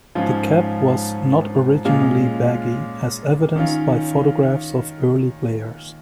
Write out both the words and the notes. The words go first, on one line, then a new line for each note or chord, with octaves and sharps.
The cap was not originally baggy as evidenced by photographs of early players.
G#2 F3 C#4 F4
A#2 G#3 C#4 F4
D#3 C#4 F4